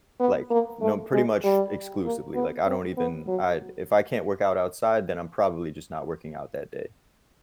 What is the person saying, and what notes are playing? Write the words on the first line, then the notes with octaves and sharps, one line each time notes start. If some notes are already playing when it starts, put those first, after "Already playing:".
like, no pretty much exclusively, like, I don't even I if I can't work out outside, then I'm probably just not working out that day,
B3
A#3
A3
G#3
G3
A#3
B3
C4
B3
F#3